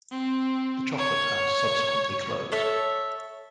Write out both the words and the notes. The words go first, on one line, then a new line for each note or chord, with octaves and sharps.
The Chocolate House subsequently closed.
C4
C#5
A4 C#5 E5